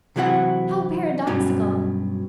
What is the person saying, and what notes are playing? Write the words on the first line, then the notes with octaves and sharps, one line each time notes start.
How paradoxical!
C3 E3 F#3 E4 A#4 F#5
G2 B2 F#3 C#4